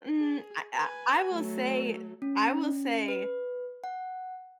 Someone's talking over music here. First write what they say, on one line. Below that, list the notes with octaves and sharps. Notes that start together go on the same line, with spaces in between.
Mm, I I I will say I will say
G#4
B4 G#5
F#3 A3
C#4
B4
F#5